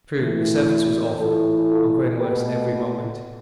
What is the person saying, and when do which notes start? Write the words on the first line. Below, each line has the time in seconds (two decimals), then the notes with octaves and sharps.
True, the surface was awful and growing worse every moment.
0.18 A2 E3 A3
1.18 A2 E3 A3 F4 A4
1.69 F4 A4
2.19 B2 A3 G4 B4